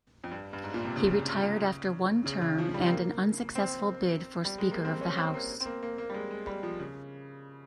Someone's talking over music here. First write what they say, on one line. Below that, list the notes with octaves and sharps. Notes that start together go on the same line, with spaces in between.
He retired after one term and an unsuccessful bid for Speaker of the House.
F2
G2
G2
G#2
A#2
C3
C#3
C#3
C#3
F3
G3
C4
A#3
C4
G3
G#3
A#3
C4
C#4
C4
A#3
C4
A#3
A#3
A#3
G3
G#3
G#3
G3
F3
C#3